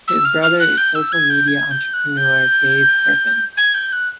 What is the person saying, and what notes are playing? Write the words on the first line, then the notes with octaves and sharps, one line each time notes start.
His brother is social media entrepreneur Dave Kerpen.
E6
F6
F6
F#6
G6
E6
G#6
G6
G#6
G6
F#6
G6
G#6
G6
F#6